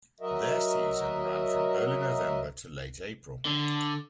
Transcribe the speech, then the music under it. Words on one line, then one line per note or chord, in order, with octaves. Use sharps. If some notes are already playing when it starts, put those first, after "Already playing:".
Their season ran from early November to late April.
F#3 F#4 A#4 D#5 E5
D3